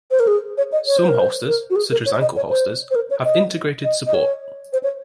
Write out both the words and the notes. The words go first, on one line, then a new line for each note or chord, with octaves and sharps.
Some holsters, such as ankle holsters, have integrated support.
C5
A#4
G#4
C#5
D#5
C#5
C5
A#4
C5
A#4
F#4
G#4
A#4
C#5
D#5
C#5
C5
C5
A#4
C#5
D#5
D#5
D#5
C#5
C5
C#5